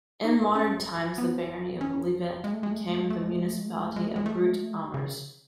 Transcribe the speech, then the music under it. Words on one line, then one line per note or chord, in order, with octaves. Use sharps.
In modern times the barony of Liesvelt became the municipality of Groot-Ammers.
D#4
C#4
B3
C#4
G#3
A3
G#3
A3
G#3
A3
G#3
A3
G#3
A3
G#3
A3
G#3
A3
G#3
A3
G#3
A3
G#3
A3
G#3
A3
G#3
A3
G#3
C#3